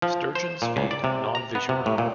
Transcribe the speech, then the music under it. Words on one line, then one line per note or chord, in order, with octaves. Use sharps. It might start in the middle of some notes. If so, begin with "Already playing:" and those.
Sturgeons feed non-visually.
F3
C5
A#2
C#2
D5
C3
A#5
B3
C3
A2
A#2